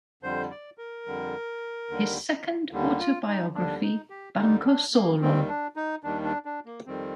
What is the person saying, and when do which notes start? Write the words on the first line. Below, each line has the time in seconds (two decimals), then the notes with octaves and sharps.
His second autobiography, Banco Solo!
0.23 F2 D3 G3 C5
0.51 D5
0.78 A#4
1.06 F2 D3 G3
1.89 D#2 D3 G3
2.72 D#2 D3 G3
2.99 F4
3.27 D#4
3.54 D#2 D3 G3 D4
3.82 D#4
4.10 G4
4.38 D#2 D3 G3 D#4
4.65 D4
4.93 A#3
5.21 D#2 D#3 G3 C4
5.48 D4
5.76 D#4
6.03 D#2 D#3 G3 D4
6.24 D4
6.45 D4
6.66 A#3
6.86 F2 D#3 G3 C4